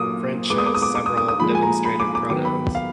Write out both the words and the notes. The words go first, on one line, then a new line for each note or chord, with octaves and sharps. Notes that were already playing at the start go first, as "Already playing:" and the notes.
French has several demonstrative pronouns.
Already playing: A#2 F#3 A#3 D6 D#6
A#2 G#3 B3 D6
D#6
D6
D#6
D6
D6
D#6
D#6
D#6
A#2 F3 G#3 B5
G#5
A#5
B5
D6
D6
D#3 F#3 B3 D6
B5
F5